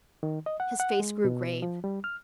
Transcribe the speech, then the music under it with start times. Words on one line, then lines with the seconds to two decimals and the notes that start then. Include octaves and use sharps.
His face grew grave.
0.23 D#3
0.46 D#5
0.60 F#5
0.80 F#5
1.00 G#3
1.25 B2
1.62 F3
1.84 G3
2.04 F6